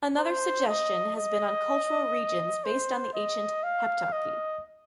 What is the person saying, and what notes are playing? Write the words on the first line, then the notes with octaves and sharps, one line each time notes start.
Another suggestion has been on cultural regions based on the ancient Heptarchy.
C5
D#5
D#5
C5
D#5
F5
D#5